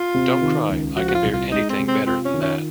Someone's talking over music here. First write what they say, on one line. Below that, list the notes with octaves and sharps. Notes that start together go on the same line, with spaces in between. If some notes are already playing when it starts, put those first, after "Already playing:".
Don't cry, I can bear anything better than that.
Already playing: F4
C3
D#3
C#2
F3 F#4
F#4
F4
C2
F4
G#3 D#4
C4
C3
C4
C4 F4
C#4
D#3
C#4